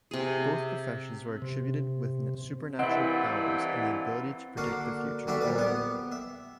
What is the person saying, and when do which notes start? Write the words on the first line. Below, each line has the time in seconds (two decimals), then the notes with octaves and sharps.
Both professions were attributed with supernatural powers and the ability to predict the future.
0.11 C3 G#4
1.42 C3
2.79 G2 A#2 E3 C4 E4 D#5 F#5 G6
4.57 D3 A#3 F#4 F5
5.27 D3 G3 F#4 G4 E5 B5
5.41 F2 A#2 G3 B4
5.58 B3 G4 F#5
6.12 E5